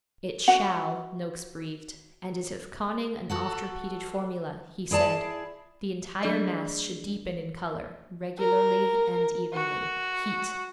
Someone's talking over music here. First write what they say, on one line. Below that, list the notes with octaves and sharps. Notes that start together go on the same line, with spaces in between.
'It shall!' Noakes breathed; and as if conning an oft-repeated formula, he said, 'The entire mass should deepen in color, regularly and evenly. Heat!
F#4 F#5
F#4 A4 F#5
E4 G#4 D5 A5
F#3 A3 D4 G#4 D5 D#5
A#4
F#4